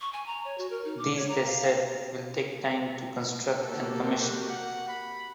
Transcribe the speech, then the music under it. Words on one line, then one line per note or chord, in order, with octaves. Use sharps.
These, they said, will take time to construct and commission.
C#6
G#5
A#5
C#5
F#4
A#4
D#4
D6
C#5
A#5
F5
F5
A#3 F#4 G4 A4
F#5
B5